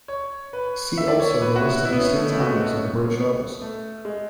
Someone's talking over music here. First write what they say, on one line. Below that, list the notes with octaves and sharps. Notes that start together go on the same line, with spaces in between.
See also the list of extinct animals of the British Isles.
C#5
B4
E5
D5
C#5
C#5
B4
F#4
E4
B3
C#4
A3
A3
F#4
G#3
A3
C#4
B3
A3
G#3